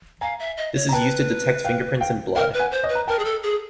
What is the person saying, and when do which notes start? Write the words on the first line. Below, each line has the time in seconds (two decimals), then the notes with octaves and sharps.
This is used to detect fingerprints in blood.
0.21 F5 G#5 A#5
0.40 E5
0.57 D#5
0.76 C#5
0.89 A#5
0.93 B4 G5 A5
1.65 F5 G5
2.00 F5 G5
2.36 A#4 F5 G5
2.54 B4
2.60 F#5 G#5
2.72 C5
2.84 C#5 D#5
2.89 B4
2.95 A#5
3.08 A#4 G5 A5
3.19 G#4
3.25 A4
3.43 G#4